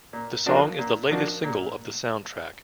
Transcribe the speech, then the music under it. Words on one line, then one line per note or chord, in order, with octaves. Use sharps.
The song is the latest single of the soundtrack.
A#2
F3 A#3 D4 F#4
A#2
F3 A#3 D4 F#4
A#2